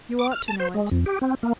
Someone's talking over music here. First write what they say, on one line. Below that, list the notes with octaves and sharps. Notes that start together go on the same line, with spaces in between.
You ought to know it.
D6
F6
A5
C5
G#3
F2
G4
C4
A#3